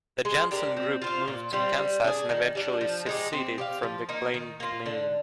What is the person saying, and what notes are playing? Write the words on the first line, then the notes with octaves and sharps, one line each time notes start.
The Jansen group moved to Kansas and eventually seceded from the Kleine Gemeinde.
G#3
D4 G4 A#4
C4
F4 C5 F5
A#2
G3 C4 F4
G3
D4 G#4
D#3
G3 D4
F3
G#3 D#4 G4
C4
G4 D5 F5
F3
A#3 D#4
D#3
A#3 F4
D3